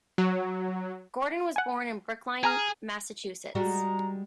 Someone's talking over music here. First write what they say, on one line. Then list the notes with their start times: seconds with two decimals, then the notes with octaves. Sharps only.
Gordon was born in Brookline, Massachusetts.
0.18 F#3
1.56 F#5 G#5
2.44 G#4 G#5 A#5 F6
3.55 G3 G#3 F#4 A#5